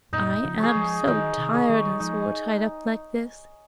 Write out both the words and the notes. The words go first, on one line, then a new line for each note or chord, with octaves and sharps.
I am so tired and sore tied up like this.
F#2 A#2 D#4
C#3 F3
G#4 C#5
F3 G#3
D#3 F#3 D#4
C3 D#3
G#4 C#5
D#3 F#3
F#3
F3 G#3 D#4